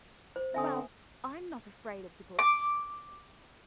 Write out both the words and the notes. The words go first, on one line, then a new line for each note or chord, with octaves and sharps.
"Well, I'm not afraid of the Bush."
C5
D3 C4 E5 G#5 D#6
D6